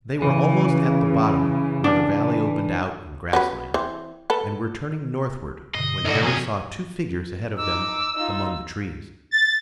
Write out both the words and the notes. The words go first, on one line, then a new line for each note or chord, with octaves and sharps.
They were almost at the bottom where the valley opened out in grass land, and were turning northward when Harry saw two figures ahead of them among the trees.
C#3 E3
D4
F#3 C#4 B4
E3 C4
A4 B4
G2 B2 D3 D#5 C7
B1 C3 D#4 F#4 A4 D5
F2 C#4 F#4 G#4 C#5 G#5 A#5
D#4 D6 E6
D#4 F4
A6